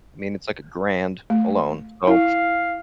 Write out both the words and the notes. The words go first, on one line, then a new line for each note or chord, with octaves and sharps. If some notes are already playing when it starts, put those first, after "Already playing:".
I mean, it's like a grand alone. So
A3
E4 F5